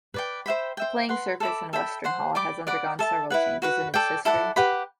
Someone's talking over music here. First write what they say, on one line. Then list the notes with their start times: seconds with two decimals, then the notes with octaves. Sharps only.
The playing surface in Western Hall has undergone several changes in its history.
0.14 B4 D5 G5
0.46 C5 E5 G5 B5
0.77 C5 E5 G5
1.09 B4 F#5 C6
1.40 A4 E5 B5 D6
1.73 A4 E5 G5 B5
2.04 C5 F#5 C6
2.35 D5 G5 B5 D6
2.67 D5 F#5 B5 D6
2.99 A4 E5 A5
3.30 E4 B4 F#5
3.62 F#4 B4 F#5
3.94 A4 D5 G5
4.25 E4 A4 D5 F#5
4.56 G4 B4 F#5 B5